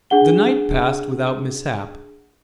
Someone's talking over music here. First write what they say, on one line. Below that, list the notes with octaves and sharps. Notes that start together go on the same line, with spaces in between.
The night passed without mishap.
D4 G#4 F#5 G7